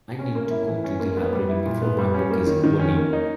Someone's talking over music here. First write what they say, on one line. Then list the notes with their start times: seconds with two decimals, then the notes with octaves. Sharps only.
I need to go to the library before my book is overdue.
0.19 C#4
0.35 A#3
0.51 E4
0.68 E3
0.84 C#4
1.00 A#3
1.17 B3
1.33 G3
1.49 E4
1.66 A#2
1.82 B3
1.99 G3
2.14 C#4
2.31 A#3
2.47 D#3
2.64 D#3
2.80 C#4
2.97 A#3
3.13 D#4